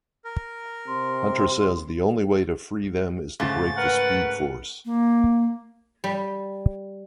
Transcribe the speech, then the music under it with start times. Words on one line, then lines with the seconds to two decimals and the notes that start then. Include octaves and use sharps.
Hunter says the only way to free them is to break the Speed Force.
0.24 A#4
0.87 C3 C6
3.40 G#2 C#3 A3 A6
3.77 A#4 B4 F#5
4.85 A#3
6.04 G3